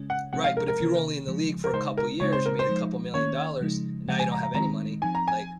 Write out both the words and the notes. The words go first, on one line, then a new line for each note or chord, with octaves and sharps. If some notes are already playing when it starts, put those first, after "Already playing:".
Right, but if you're only in the league for a couple of years, you made a couple million dollars and now you don't have any money, like,
Already playing: C#3 G#3 C#4
F#5
C3 F3 G#3 C4 D#4 F#5
F5
A#4
A#4
C3 D#3 A#3 C#4
C#3 F3 G#3
A#4
C#3 G#3 D#4 C5
A#4
C#3 G#3 C4 D#4 C#5
C5
A#4
C5
F3 G#3 D#4
D#3 A#3 C#4 C#5
C#3 F3 G#3 D#4
C#3 F3 G#3 F#5
G#5
A#5
A#5
D#3 G#3 C4 D#4 A#5
F3 C4 D#4 G#5
A#5
G#5